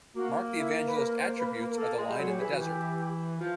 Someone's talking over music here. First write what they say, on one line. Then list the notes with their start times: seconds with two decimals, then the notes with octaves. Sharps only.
Mark the Evangelist attributes are the Lion in the desert.
0.15 A#3 F#4
0.56 E4
0.86 B4
0.97 A#4
1.17 C5
1.38 B4
1.57 B4
1.70 A#4
1.78 A#3 A4
1.98 G#3
2.08 G3
2.19 F#3 A4
2.26 G#4
2.33 G4
2.39 E3 G#4
2.50 F#4
2.59 E3 G4
3.41 F3